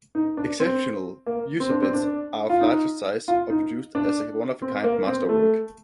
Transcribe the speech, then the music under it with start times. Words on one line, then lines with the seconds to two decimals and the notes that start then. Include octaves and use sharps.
Exceptional ushabtis are of larger size, or produced as a one-of-a-kind master work.
0.15 D#4
0.37 D4
0.60 C4
1.26 A#3
1.60 C4
1.70 D4
1.82 C4
1.94 D4
2.49 F4
2.61 D#4
3.28 F4
3.50 D#4
3.95 D4
4.62 C4
4.84 A#3
5.07 C4
5.29 A3